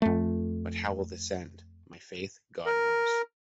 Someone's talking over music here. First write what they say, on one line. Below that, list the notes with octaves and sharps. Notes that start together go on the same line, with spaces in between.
But,how will this end?”My faith, God knows.
F2 A3
A#4